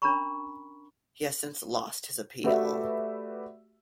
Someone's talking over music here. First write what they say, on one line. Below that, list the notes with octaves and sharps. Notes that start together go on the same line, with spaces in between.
He has since lost his appeal.
C#4 D4 A#4 A#5 B5 C#6
A3 F#4 G4 B4 D5 E5